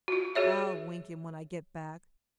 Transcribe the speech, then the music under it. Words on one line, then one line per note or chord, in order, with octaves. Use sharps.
I'll wink him when I get back.
F4 F#4
F#4 G#4 C#5 E5